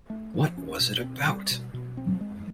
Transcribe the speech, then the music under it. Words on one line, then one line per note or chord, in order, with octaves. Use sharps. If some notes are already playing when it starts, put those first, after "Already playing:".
What was it about?
A3
F3
C#4
B2
C4
G3
B2
B2
C4
G#3